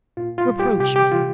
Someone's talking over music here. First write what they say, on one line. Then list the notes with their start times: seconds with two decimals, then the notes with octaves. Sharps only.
Reproach me.
0.17 A#2 F4
0.38 F4
0.49 G3
0.60 G4
0.80 C3 G4
0.96 G4
1.11 E3 F4